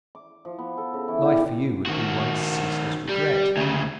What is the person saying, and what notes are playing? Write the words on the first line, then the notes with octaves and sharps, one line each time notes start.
Life for you would be one ceaseless regret.
D6
F3
B3
A4
C#3
E3
G4
D#3 F#4
G3
D2 C#3